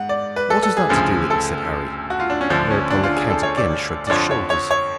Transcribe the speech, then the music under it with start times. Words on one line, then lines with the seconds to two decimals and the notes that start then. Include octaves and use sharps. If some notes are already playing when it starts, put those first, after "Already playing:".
"What has that to do with it?" said Harry; whereupon the count again shrugged his shoulders.
Already playing: G#2 F#5
0.09 D5
0.36 B4
0.50 A4
0.63 A4
0.77 G#4
0.89 D2 C#3 F3 G#4
1.30 A4
2.10 F#4
2.20 F4
2.30 D4
2.41 C#4
2.50 D2 D3 F3 D4
2.70 C#4
2.90 D4
3.03 F4
3.16 G#4
3.30 A4
3.43 C#5
3.57 D5
4.07 D5
4.10 F2 D3 F3 C#5
4.31 C#5
4.50 C#5
4.71 C#5